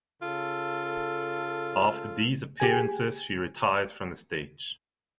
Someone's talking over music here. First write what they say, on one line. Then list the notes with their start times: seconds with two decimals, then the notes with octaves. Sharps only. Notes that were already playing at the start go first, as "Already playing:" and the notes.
After these appearances she retired from the stage.
0.21 C#3 F4 A4
2.60 G4 G#4 G#5